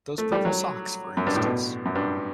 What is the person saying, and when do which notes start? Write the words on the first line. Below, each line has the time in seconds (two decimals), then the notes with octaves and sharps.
Those purple socks, for instance.
0.18 A3
0.32 G3
0.45 F#3
1.17 F#2
1.27 G2
1.36 A2
1.45 B2
1.85 F#2
1.95 G2